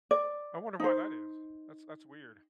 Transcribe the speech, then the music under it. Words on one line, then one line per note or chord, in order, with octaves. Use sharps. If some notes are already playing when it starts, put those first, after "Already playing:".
I wonder why that is. That's that's weird.
D5
D#4 C5